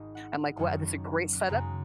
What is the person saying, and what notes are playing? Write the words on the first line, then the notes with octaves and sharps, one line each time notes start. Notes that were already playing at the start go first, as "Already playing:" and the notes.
I'm like, "What this is a great setup."
Already playing: G#1 G#2 D#5
F#5
F#1 F#2 D#3 F#3 C#4
F#2 C#3 G#3 A#5